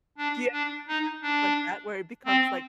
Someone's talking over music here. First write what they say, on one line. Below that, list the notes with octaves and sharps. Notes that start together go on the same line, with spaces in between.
Do you have some friendship like that, where it becomes, like,
D4
D4
D#4
D4
C4